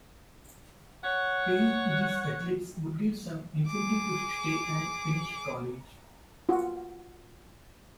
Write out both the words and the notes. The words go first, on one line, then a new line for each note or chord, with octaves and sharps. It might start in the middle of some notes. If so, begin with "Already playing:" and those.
Paying these athletes would give some incentive to stay and finish college.
C#5 F#5
G#4 D6
F4 F#4